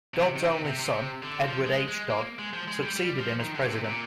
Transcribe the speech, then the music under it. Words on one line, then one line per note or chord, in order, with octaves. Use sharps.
Dodd's only son, Edward H. Dodd, succeeded him as president.
C3
D#3
C3
C3
C3
D3
F3
G#3
G#3
A#3
G#3
F3
G#3
G3
G3
F3
D#3
D3
A#2
C3
A#2